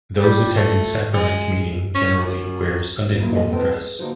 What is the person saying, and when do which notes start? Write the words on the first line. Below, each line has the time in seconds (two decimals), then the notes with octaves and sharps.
Those attending sacrament meeting generally wear "Sunday formal" dress.
0.22 G3
0.57 A3
1.13 G#3
1.94 C#4
2.18 F#2
3.18 F#2 A#2 C#3 F#3 A#3 E4
3.33 A#2 G3 A4 D#5 G#5
3.52 C3 A3 B3 C4 B4 G5
3.74 G#4
3.99 D3 A#3 D#4 F4 F#4 C5